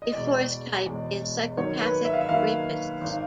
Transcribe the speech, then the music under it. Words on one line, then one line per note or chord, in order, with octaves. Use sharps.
A fourth type is psychopathic rapists.
D#5
E1 E2 B2 G#3 D5
E1 E2 B2 G#3
D#2 D#3 F#3 A#3 C#5
B4
E5
F5
E5
D#2 D#3 F#3 A#3 F5
G#1 D#3